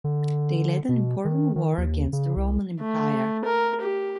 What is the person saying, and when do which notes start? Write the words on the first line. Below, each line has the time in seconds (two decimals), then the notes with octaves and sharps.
They led an important war against the Roman Empire.
0.04 D3
0.89 B2
1.25 D#3
1.56 D#3
1.78 D#2
2.13 C#3
2.36 C2
2.80 A3
3.45 A#4
3.81 G4